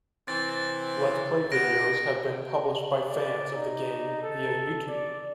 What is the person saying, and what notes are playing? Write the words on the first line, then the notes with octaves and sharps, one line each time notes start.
Let's Play videos have been published by fans of the game via Youtube.
C3 E3 C4 A6
A6
D2 A2 B3 A#6 D7
D5
D#4
A4
D5